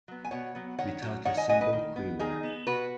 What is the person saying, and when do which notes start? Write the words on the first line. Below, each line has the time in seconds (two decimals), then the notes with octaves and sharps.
Without a single quiver.
0.08 F#3 B3
0.25 G#5
0.31 B2 C#5 F#5
0.55 F#3 B3
0.79 D#3 C#5 F#5
1.02 F#3 C#4
1.25 D#3 C#5 F#5
1.37 D#5 G#5
1.49 F#3 C#4 D#5 G#5
1.61 B4 D#5
1.73 D#3
1.96 B3
2.19 D#3 D#4 G#4
2.43 B3
2.67 B2 F#4 B4